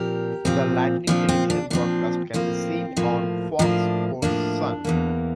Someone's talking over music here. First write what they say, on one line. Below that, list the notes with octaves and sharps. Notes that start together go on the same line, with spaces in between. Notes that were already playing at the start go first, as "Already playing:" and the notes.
The Lightning television broadcasts can be seen on Fox Sports Sun.
Already playing: A#2 F3 C4 G4 A#4
A#2 F3 C4
A#2 F3 C4 D4
C4
D4
A#2 F3 C4 D4
A2 F3 A#3 C4
A2 F3 A#3
A2 F3 A#3 D4
A2 F3 A#3 D4
E2 E3 A#3